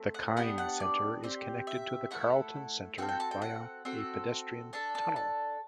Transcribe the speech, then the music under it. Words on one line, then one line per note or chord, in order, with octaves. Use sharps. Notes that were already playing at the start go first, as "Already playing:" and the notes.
The Kine Centre is connected to the Carlton Centre via a pedestrian tunnel.
Already playing: A3 C4
F#5
B3 D4 G4 F#5
F#5
D5
C4 G4
E5
A3 E4 A4 F#5
C4 F#4 A4 G5
G5
A5
G5
F#5
C4 F#4 A4
D4 A4 A5
A5
A5